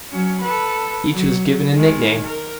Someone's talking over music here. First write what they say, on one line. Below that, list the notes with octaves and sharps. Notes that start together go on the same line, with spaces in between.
Each was given a nickname.
F#3 C#4
A4 B4
F#3
D#3 G#3
A#4